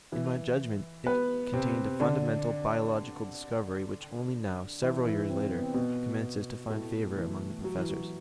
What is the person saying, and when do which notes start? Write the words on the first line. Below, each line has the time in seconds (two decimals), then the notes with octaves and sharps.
In my judgment, it contained a fundamental biological discovery which only now, several years later, commences to find favor among the professors.
0.12 E3 E4
1.06 B3 B4
1.53 C3 C4
2.00 D3 D4
4.82 E3 E4
5.06 E3 E4
5.29 C3 C4
5.53 B3
5.63 C4
5.74 B2 B3
6.70 A2 A3
7.17 E3
7.64 F#3
7.77 E3
7.89 F#3